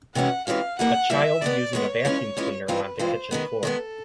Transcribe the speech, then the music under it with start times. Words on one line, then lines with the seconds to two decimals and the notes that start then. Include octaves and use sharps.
A child using a vacuum cleaner on the kitchen floor.
0.15 C3 E3 G#3 C#4 F#4 F#5
0.47 C3 E3 G#3 C#4 F#4 F5
0.79 E3 G3 A#3 F#5
1.10 E3 G3 A#3 E5
1.41 D#3 G#3 B3 D5
1.73 D#3 G#3 B3 C#5
2.05 E3 G#3 C#4 F4
2.37 E3 G#3 C#4 F4
2.68 G2 E3 G#3 C4 F4 B4
2.99 G2 E3 G#3 C4 F4 C5
3.31 D#3 G#3 B3 B4
3.63 D#3 G#3 B3 A4